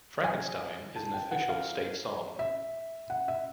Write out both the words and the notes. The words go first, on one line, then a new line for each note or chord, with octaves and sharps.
Frankenstein, is an official state song.
G#5
A5
G5
F#5
F5
E5
F#5
E5